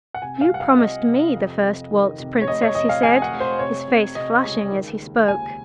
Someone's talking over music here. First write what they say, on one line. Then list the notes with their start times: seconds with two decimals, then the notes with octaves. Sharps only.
"You promised me the first waltz, Princess," he said, his face flushing as he spoke.
0.14 F#5
0.22 C3 G#5
0.41 F5
0.50 C2 F#5
0.60 F5
0.78 C3 D#5
1.07 C3
1.35 F2
1.63 C3
1.91 D#3
2.19 C3
2.42 C#5
2.47 F1 D#5
2.61 C#5
2.75 F1 D#5
2.89 F5
3.03 F1 G#5
3.22 F#5
3.32 F1
3.40 C5
3.59 C3 C#5
3.88 C3
4.15 C3 D#5
4.44 C#2
4.71 D#3
5.00 D#2
5.28 D#2 G#5